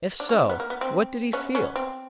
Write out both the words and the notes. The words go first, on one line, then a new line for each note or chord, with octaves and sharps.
If so, what did he feel?
D4
C#4
C4
B3
A#3
B3
C4
B3 C#4
B3 C#4
C4